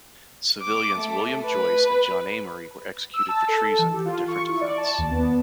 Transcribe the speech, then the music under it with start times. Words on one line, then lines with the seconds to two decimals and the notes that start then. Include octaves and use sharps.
Civilians William Joyce and John Amery were executed for treason, a different offence.
0.61 D6
0.95 A3
1.45 B4
3.14 E6
3.29 A5
3.48 A4
3.79 E3
3.93 G4
4.05 F4
4.28 C#6
4.49 E4
4.61 D5
4.78 A5
4.98 D#2
5.11 B3